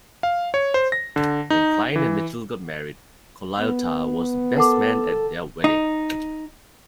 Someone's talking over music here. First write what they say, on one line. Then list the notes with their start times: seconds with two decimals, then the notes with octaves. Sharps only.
When Klein and Mitchell got married, Colaiuta was the best man at their wedding.
0.23 F5
0.54 C#5
0.74 C5
0.92 A#6
1.16 D3
1.50 D#4
1.96 E3
3.59 B3
4.57 A4 A#4 F#5 D6
5.64 D#4